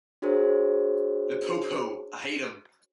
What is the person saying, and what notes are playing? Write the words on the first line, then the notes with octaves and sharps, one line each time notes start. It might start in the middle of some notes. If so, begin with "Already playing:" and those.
The 'Po-Po,' I hate 'em.
D4 F#4 G#4 A#4 C5 C#5